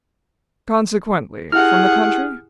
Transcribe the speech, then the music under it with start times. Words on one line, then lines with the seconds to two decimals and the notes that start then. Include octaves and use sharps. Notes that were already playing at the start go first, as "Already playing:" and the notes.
'Consequently, from the country?'
1.52 E4 G4 G#4 F#5 F6